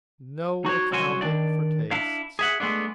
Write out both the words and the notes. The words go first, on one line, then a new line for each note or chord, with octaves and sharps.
No accounting for tastes!
D#4 F#4 C5 C#5
C2 F#3 C#4 F#4 C5 G#5
D#3 E3 D4 D5
D4 E4 F5
G#4 E5 F#5
G#3 A3 B3 D4